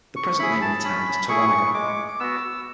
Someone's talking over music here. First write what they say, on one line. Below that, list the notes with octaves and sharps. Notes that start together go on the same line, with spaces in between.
The present name of the town is Taranagar.
C#6
E4 G#4 B5
A5
C#4 B5
E4 G#4 C#6
G#3 D6
D6
B3 F#4 E6